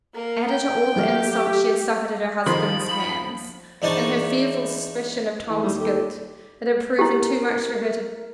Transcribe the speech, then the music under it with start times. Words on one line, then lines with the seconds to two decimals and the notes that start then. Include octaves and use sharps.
Added to all the insults she had suffered at her husband's hands, and her fearful suspicion of Tom's guilt, it had proven too much for her to bear.
0.14 A#3 A#4
0.49 G5
0.96 F#3 A3 G4 F6
2.46 D#3 F3 B5 C6
3.82 E2 D4 D#4 C5 A5 C#6
5.50 E3 A3
5.63 D#2 G3
5.80 G4 A4
6.99 E4 G4 A#4